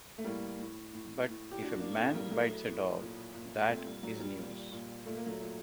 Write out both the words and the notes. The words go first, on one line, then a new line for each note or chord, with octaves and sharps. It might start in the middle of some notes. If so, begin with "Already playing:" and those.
But if a man bites a dog, that is news.
A3
A2 G3 A#3
A2
A2
A2
G4
A2 D4 F#4
A#3 D4
A2 A3 C4
G3 A#3
A2 F#3 A3
A2
A#2
A#2
A#2 A3 C4
G3
A#2 F#3
G3
A#2
A#2
A#2 A3
A#3
F#3 A3
A#2